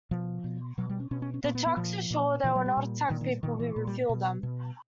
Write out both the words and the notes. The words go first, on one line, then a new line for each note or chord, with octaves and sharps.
The trucks assure they will not attack people who refuel them.
B2 F3
B2
B2 F#3
G3
C#4
B2 C#4
C#4
C#4
A#2 B3
B3
B3
A#2 F3
A#2
A#2 E3
F#3
G3
A#2
A#2 D#3
D#3
A#2 D#3
E3
A#2
G3
B2
B2